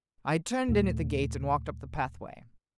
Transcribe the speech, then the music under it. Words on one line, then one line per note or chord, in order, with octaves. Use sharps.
I turned in at the gate, and walked up the pathway.
D#2 A#2 A3